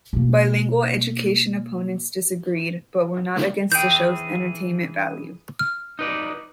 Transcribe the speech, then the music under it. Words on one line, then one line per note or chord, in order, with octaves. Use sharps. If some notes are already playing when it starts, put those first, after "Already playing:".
Bilingual education opponents disagreed, but were not against the show's entertainment value.
B2 A#3
E3 G#4 G5 G6
F6
D#4 B4 D5